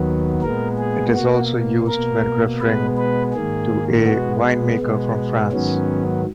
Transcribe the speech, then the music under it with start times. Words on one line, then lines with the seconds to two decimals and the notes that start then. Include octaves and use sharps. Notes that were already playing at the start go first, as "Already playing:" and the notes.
It is also used when referring to a winemaker from France.
Already playing: D#2 D#3 F#3 B3
0.42 A#2 G#3 B3 A#4
0.78 G#4
1.15 B2 A#3 F#4
1.88 B2 A#3 A#4
2.61 B2 G#3 B3 B4
2.97 B4
3.33 G#2 D#3 A#3 G#4
4.06 B2 G#3 B3 F#4
4.79 B2 G#3 B3
5.52 G#2 D#3 F#3 B3 C#4